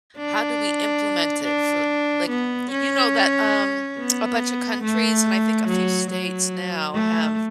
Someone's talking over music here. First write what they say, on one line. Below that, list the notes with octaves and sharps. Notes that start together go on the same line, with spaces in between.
how do we implement it for l like, y you know that, um, a bunch of countries and I think a few states now have
D4
D4
B3
C#4
B3
A3
F#3
F#3
A3